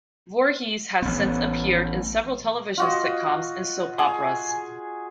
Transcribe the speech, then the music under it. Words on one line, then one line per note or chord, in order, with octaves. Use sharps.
Voorhies has since appeared in several television sitcoms and soap operas.
A1 B3
F4 F#4 D#5
G#4